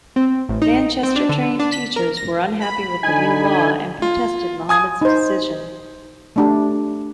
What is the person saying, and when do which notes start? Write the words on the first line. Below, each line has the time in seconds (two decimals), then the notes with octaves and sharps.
Manchester-trained teachers were unhappy with the new law and protested Mohamad's decision.
0.16 C4
0.49 A1
0.62 D#4
1.03 C4
1.16 D4
1.29 D3
1.59 D4
1.72 B6
1.96 A#4
2.17 A#6
2.60 B5
3.03 D3 D#4 G#5
4.02 F4
4.69 G#5 D#6 G#6
5.01 D#4 C5
6.36 A3 D4 G4